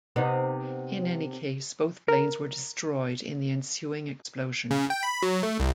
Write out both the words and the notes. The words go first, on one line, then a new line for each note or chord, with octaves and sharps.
In any case, both planes were destroyed in the ensuing explosion.
C3 B3 D#4
A#4
C#3
G5
B5
F#3
A3
C2